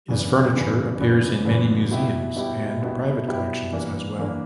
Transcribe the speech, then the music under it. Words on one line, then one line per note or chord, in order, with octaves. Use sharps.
His furniture appears in many museums and private collections as well.
F#2 C#3 E3 B3 D4
F#2 C#3 E3 B3 D4
F#2 C#3 E3 B3 D4
F#2 C#3 E3 B3 D4
B2 G3 B3 E4 G4
B2 G3 B3 E4 G4
B2 G3 B3 E4 G4
B2 G3 B3 E4 G4
E3 A#3 D4
E3 A#3 D4